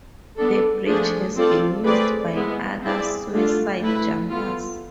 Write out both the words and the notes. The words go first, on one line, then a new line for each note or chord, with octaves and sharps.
The bridge has been used by other suicide jumpers.
B3 D4 A4
F3 A3 D4 G#4
C4 F4 A4 D5
A3 C4 G#4 B4 D5
G#3 B3 E4
C4 E4 G#4 D5
D3 A3 D4 F4
A3 E4 B4
B3 F4 A4